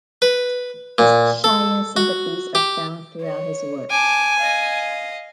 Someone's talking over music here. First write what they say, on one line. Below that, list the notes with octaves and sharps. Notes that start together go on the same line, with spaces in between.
His Shia sympathies are found throughout his works.
B4
A#2
A4
F#4
G4
C#5
G#5 A5 D6
D#5 F5